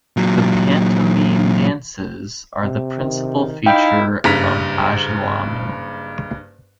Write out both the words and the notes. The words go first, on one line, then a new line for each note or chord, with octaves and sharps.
The Pantomime dances are the principle feature of Ajilamu.
A#2 F#3
C3
D#3
D#4 E4 F5 G5
F#1 G2 A#5 B6